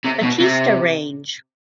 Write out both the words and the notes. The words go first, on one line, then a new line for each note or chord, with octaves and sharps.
Batista range.
C3
B2
C3